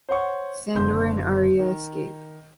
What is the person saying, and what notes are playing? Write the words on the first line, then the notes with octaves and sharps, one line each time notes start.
Sandor and Arya escape.
C5 C#5 F#5 C#6
F#1 B2 D3 C6 G6
D#3